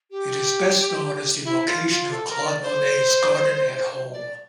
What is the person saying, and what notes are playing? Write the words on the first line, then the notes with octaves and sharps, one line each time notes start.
It is best known as the location of Claude Monet's garden and home.
G4
E4
F4
F4
A4
A#4
D5
C5
D5